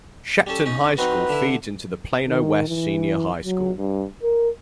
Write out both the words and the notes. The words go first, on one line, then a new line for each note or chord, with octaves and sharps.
Shepton High School feeds into Plano West Senior High School.
G3 C#4 A4
C#4 D#4
F#3 C4 D#4 B4
D3 E4
D#3
E3
F#3
G2
A#4